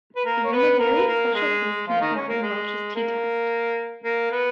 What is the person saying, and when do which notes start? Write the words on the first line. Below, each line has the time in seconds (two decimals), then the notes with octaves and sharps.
A univariate special case can be found in Welch's t-test.
0.16 B4
0.25 A#3 A#4
0.44 C#5
0.52 B3 B4
0.79 A#3 A#4
0.95 B4
1.07 A#3 A#4
1.34 G#3 G#4
1.87 F3 F4
2.01 D#3 D#4
2.15 C#4
2.28 A#3
2.42 G#3
2.96 A#3
4.04 A#3
4.32 B3